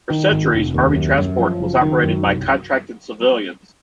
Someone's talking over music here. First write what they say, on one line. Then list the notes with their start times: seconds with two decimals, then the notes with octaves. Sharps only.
For centuries, army transport was operated by contracted civilians.
0.10 D#3
0.32 G#1
0.53 F1
0.74 D#2
0.95 F#2
1.18 F#2
1.39 F3
1.60 F#1
1.82 D#3
2.04 F#2
2.24 C2